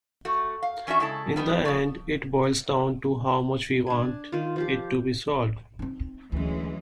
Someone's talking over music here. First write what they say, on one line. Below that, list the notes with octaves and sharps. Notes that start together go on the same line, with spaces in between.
In the end it boils down to how much we want it to be solved.
A3 F#4
F5
E3 C#4 D4 F#4 E5
C#3 G#3 E4 A4 A5
G3 B3 D4 D#4
F3 A3
D4 G#5
D#3 F4
F3 F4 G4
C4 D#4
D2 E3 F#3 G#3 C#4